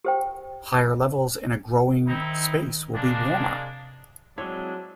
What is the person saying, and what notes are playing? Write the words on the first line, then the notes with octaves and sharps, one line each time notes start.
Higher levels in a growing space will be warmer.
G4 C5 G5
D#3 C4 D#4 E4
C3 G#3 A#3 D4
F#3 G#3 C4 D4 E4 C#5